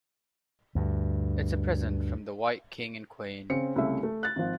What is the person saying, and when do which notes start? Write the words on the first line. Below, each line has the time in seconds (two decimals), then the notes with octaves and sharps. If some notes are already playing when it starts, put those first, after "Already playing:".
It’s a present from the White King and Queen.
0.75 D2 G2
3.50 C#3 C4 C#7
3.76 C2 C#3 A3 E5
4.03 A3
4.23 F#6 A6
4.36 G#1 F3